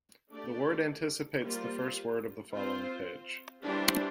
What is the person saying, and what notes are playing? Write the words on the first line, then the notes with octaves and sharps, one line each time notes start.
The word anticipates the first word of the following page.
A3 D4 G4 D5
G3 A#3 F4 C5
C4 F4 C5
E3 G3 D4 G4 C5